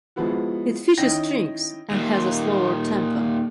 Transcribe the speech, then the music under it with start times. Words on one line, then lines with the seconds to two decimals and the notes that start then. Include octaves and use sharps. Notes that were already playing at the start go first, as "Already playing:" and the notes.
It features strings and has a slower tempo.
0.16 F3 G#3 B3 E4 F#4
0.98 D#3 C#4 D#4 E4 G5 A#6
1.91 D#2 A#2